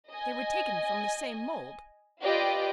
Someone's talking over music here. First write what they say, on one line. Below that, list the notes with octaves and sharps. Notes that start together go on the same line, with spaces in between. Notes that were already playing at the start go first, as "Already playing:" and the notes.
"They were taken from the same mould."
D#5 G#5
F4 G4 B4 D5 D#5 G5